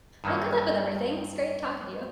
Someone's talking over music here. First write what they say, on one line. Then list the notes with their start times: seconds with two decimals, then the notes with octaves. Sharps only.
well, good luck with everything. It's great talking to you.
0.24 G2 D#3 F#3 A#3 C#4